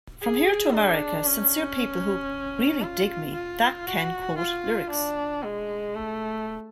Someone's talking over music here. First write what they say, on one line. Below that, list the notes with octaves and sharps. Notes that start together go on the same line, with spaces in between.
From here to America, sincere people who really dig me, that can quote lyrics.
G#4
D4
C#4
F4
F4
F#4
F4
D4
G#3
A3